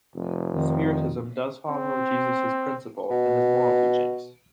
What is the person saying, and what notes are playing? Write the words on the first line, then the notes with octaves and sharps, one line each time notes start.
Spiritism does follow Jesus's principal and his moral teachings.
F1
F2 D#3
C4
B2